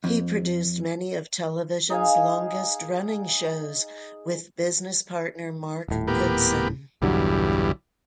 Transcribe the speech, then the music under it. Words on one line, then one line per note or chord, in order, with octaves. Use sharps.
He produced many of television's longest running shows with business partner Mark Goodson.
F2
D#4 G#4 F5 G#5
D#1 A2
A#3 B3 G4
B1 E2 G2 D3 F#3